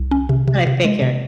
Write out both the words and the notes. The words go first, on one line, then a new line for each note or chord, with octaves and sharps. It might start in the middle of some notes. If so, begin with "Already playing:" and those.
I figure.
Already playing: C2
C#4
C3
C3
C3
G#3
C3